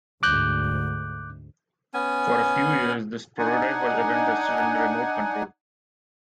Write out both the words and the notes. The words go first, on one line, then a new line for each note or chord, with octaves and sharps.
For a few years this prototype was even tested under remote control.
D2 G#2 D6 F#6 G6
B3 C#4 G#5
D4 D#4 F#5 G#5